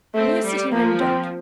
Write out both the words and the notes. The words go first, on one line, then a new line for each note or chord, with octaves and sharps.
Mere City men don't.
A3 C4
G3
F3 A#3
C4